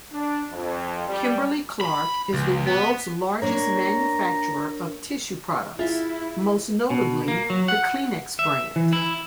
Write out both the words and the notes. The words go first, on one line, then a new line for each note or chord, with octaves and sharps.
Kimberly-Clark is the world's largest manufacturer of tissue products, most notably the Kleenex brand.
D4
F2
G3
B5
C#2
B3
A#3 D4 C#5 A#5
E4 F4 G#4 E5
B2
A#3
F#3
F#5
E5
E3
E4